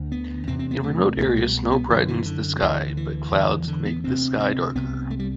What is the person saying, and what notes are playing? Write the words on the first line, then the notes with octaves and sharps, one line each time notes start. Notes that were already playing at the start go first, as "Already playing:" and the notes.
In remote areas snow brightens the sky, but clouds make the sky darker.
Already playing: D2 D3
B3
E2 C3 C4
C4
B3
A3
C2 B2 A3
G3
B3
F#2 D3 E3
E3
D3
F#3
D2 D3 E3
E3
E2 D3
E3
D3
B3
D2 C3 C4
C4
C2 C3 B3
A3
G3